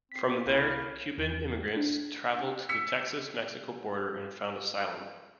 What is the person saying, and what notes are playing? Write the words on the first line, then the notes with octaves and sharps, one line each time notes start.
From there Cuban immigrants traveled to the Texas-Mexico border and found asylum.
C4 B6 C7
C2 A#3 E4 F5
E2
D4
E6 B6 C#7